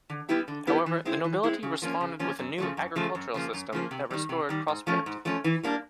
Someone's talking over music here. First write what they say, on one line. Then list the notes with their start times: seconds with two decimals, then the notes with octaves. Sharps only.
However the nobility responded with a new agricultural system that restored prosperity.
0.10 D3
0.29 G3 B3 E4 G4
0.48 D3
0.67 G3 B3 E4 G4
0.86 E3
1.05 G#3 C4 E4
1.24 E3
1.43 G#3 C4 E4
1.63 C#3
1.82 F3 A#3 C#4
2.01 C#3
2.19 F3 A#3 C#4
2.39 F#2
2.58 C#3 F3 A3
2.77 F#2
2.96 C#3 F3 A3
3.15 F#2
3.34 C#3 F3 A#3
3.53 F#2
3.72 C#3 F3 A#3
3.91 C3
4.11 D#3 G3
4.29 C3
4.49 D#3 G3
4.68 G#2
4.87 F3 A3 C#4
5.06 G#2
5.25 F3 A3 C#4
5.44 E3
5.63 G3 A#3 D4